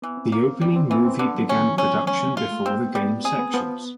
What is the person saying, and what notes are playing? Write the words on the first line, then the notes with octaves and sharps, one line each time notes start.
The opening movie began production before the game sections.
E3 B3
C4
A#3
C4
G3 B3
C4
E3 B3
C4
D3 B3
F#3
D#3 C#4
E3
F3
F#3 C#4
G#3 C#4
G#3 F4
A3
A#3 C4
B3
G3 B3
C4 G#4
B3
F3 B3